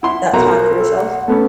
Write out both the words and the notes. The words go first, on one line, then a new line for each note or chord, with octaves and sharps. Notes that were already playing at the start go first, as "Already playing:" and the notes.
that time for yourself?
E4 F#5 C6
B1 F#4 A#4 A#5
A4
F#5
A3 B3 C#4 A4